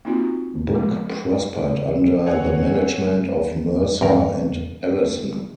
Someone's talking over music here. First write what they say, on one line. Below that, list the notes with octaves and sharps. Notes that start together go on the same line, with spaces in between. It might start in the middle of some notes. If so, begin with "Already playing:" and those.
Book prospered under the management of Mercer and Allison.
A#3 C4 D#4 F4 F#4
F3 G#3 D6
C4 C#5 F#5 G#5
E2 G2 A#4